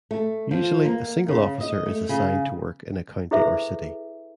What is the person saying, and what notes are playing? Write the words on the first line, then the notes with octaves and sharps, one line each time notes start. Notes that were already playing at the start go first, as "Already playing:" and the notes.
Usually a single officer is assigned to work in a county or city.
A3
F3
A#3
C#3
D#5
A3
C#3
E4 G#4 A4 B4 C5 E5